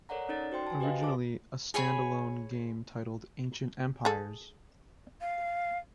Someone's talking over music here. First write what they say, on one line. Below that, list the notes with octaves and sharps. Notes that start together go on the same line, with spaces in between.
Originally a stand-alone game titled Ancient Empires!
A4 A#4 C#5 D5 F#5 A#5
C#4 D#4 A4 D5 A6
F#4 C5 G5 C6
G#5 A5
F#4 G4 B4 C5 D#5 F5
G#4 A4 A5 D6
G#4 C#5 G#5 B5
G#4 A4
F5